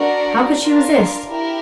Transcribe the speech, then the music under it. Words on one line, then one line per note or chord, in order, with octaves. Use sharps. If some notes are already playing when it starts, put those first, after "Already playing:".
How could she resist.
Already playing: D4 F#4 A#4 D5 F#5
D4 F4 A#4
E4 G4 A#4